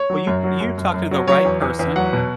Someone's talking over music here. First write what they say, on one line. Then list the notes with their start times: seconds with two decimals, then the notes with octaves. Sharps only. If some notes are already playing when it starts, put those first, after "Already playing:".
Well you you're talking to the right person,
Already playing: C#5
0.10 F#3
0.27 F#2
0.44 F#3
0.60 F#2
0.78 F#2
0.94 F#2
1.11 F#3
1.28 F#3 C#5
1.45 E2
1.62 E2
1.79 E2
1.96 F#3 F#5
2.13 B2